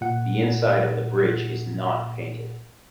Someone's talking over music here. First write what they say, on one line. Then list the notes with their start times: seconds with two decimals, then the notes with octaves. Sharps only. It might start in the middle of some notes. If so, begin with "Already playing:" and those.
The inside of the bridge is not painted.
0.01 A#2 F#5